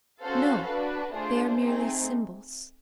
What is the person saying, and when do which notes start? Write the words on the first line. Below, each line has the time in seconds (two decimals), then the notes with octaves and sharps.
No, they are merely symbols.
0.22 C#4 F#4 A4 C5 F5
0.67 D4 F#4 B4
1.12 A3 D4 F4 G#4 C5
1.58 A3 C4 D#4 G#4